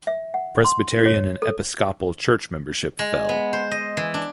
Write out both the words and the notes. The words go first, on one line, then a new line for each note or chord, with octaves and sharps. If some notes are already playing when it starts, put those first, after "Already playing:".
Presbyterian and Episcopal church membership fell.
E5
F#5
C6
C#5
A4
G#3
B3
C5
D#5
E3
D4